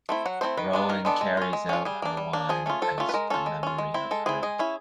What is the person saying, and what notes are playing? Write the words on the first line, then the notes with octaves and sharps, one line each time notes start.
Roan carries out her wand as a memory of her.
A3 C4 E4
F#3 F#5
A3 C4 E4 C5
D#3 B4
G#3 B3 D4
D#3 A#4
G#3 B3 D4 A4
G#3
C#4 F4
G#3
C#4 F4
G3 G#4
A#3 D4
G3
A#3 D4
F3 G#4
A3 C#4 F4
F3 A4
A3 C#4 F4
B4
G#3 A#4
C#4 F4 A4
G#3
C#4 F4
G#3
C4 E4
G#3 A4
C4 E4 G#4
G#3 G#4
C#4 E4